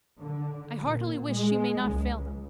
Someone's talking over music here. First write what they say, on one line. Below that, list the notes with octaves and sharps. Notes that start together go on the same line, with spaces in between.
I heartily wish you may not fail them.
D3
A#2
G#3
C#2